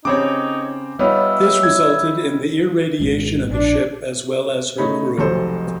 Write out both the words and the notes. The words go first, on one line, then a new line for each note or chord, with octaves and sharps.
This resulted in the irradiation of the ship as well as her crew.
C#3 C4 D#4 G4 C#5 D6
G3 B3 D#4 F4 C#5 E5
G#6
G#1 G#2 B2
A#1 D4
C#3 A3 D#4 C#5 B5
F1 B1 A4 C5